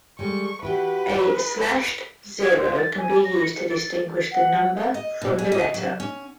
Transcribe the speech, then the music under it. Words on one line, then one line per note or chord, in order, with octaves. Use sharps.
A slashed zero can be used to distinguish the number from the letter.
G3 G#3 A4 C#6
E4 F#4 G4 B4
G#4
G#6
C6
A6
G#5
A#6
C#7
A6
A6
F#5
D#5
B2
G#4
D#5
F#3
C#4